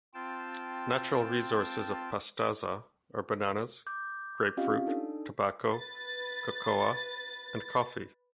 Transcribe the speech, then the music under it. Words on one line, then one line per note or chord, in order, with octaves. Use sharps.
Natural resources of Pastaza are bananas, grapefruit, tobacco, cocoa and coffee.
C4 F4 G5 A5
D6 G6
C4 C#4 F4 G4 D#5 F5
D4 D#4 A4
B4 A6